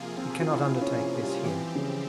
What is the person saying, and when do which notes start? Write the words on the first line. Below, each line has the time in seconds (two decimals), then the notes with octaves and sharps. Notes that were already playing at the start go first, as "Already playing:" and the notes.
We cannot undertake this here.
Already playing: C3 F3 A#3 F4 G#4
0.17 C4
0.41 F4
0.49 E4
0.81 C#4
1.23 G3
1.44 E3 F3 C4 G4
1.75 C#3